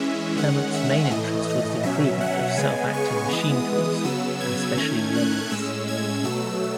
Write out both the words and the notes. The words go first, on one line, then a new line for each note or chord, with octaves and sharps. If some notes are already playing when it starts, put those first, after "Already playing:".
Clement's main interest was the improvement of self-acting machine tools, and especially lathes.
Already playing: E3 G#3 C#4 E5
D#3 G#3 C#4 F#5
E5
A2 E3 A3 D#5
D#5
B2 F#3 C#4 E5
F#5
C#3 G#3 B3 G#5
C#6
E3 G#3 B3 D#6
C#3 F#3 B3 E6
G#6
D#3 A3 C#4 G#6
F#6
A2 G#3 C#4 E6
G#6
B2 F#3 A3 E6